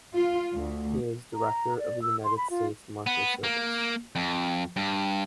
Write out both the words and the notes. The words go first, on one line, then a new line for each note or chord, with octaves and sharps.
He is Director of the United States Marshals Service.
F4
D2
A#5
D5
E6
C6
B5
F4
B3
A#3
F2
G2